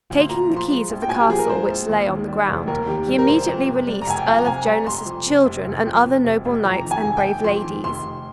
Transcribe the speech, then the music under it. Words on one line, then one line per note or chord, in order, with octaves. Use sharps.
Taking the keys of the castle, which lay on the ground, he immediately released Earl of Jonas's children and other noble knights and brave ladies.
D2
C6
A#2 A#5
F3
C6
G#3
A#1
G5
A#2 G#5
G4
F3 G#4
A#4
G#3 C5
A#1
D#2
D#3
G3
F1
D#2 A#4
D#3 G4
G3 G4
A#4
F1 C5
F2
C3
G3
A#5
F1 G#5
G5
F2 F5
A#5
C3 G#5
G3 A#5
F1 C6
F2
C3
F1
F1
F2
C3
F1
F1
F2 A#5
D#3
G#5
F1
G5
F1
F2 C6
D#3
F1 C6
F1